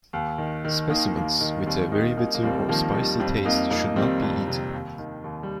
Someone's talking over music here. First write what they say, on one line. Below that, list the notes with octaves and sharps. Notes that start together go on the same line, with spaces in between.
Specimens with a very bitter or spicy taste should not be eaten.
D#2
D#3
D#3
D#3 A#3 D#4
D#2
D#3
D#2 G3 C4
D#3 A#3 D#4
D#2 A#3 D#4
A#3
D#2 G3 C4
D#3 F3 A#3
D#3 G3
F2 G3 C4
F2 A#3 D#4
F2 A#3 D#4
D#3 G3 C4
F2
C3
D#2
D#3
D#2
G3